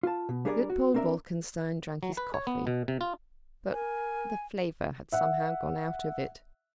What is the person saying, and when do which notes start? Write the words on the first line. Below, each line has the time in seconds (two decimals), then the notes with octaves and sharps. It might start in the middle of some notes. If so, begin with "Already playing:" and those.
Luitpold Wolkenstein drank his coffee, but the flavour had somehow gone out of it.
0.03 F4 A5
0.29 B2
0.45 G3 D4 G#4 A#4 C#5 D5
0.70 F#4
0.94 C4 D4 A#4 D5 E5
2.03 F#3
2.17 B4
2.34 C#5
2.47 B3
2.67 B2
2.88 C3
3.01 F4
3.73 A#4 G#5
5.12 E5 F#5